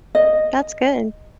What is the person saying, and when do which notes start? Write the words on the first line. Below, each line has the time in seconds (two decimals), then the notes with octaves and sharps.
That's good.
0.15 D#5